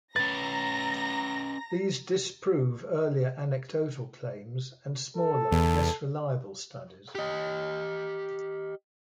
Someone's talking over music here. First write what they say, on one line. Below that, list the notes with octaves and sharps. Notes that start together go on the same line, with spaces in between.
These disprove earlier anecdotal claims and smaller, less reliable studies.
C#4 B4 A#5 A6 A#6
A4
E2
G4 D#5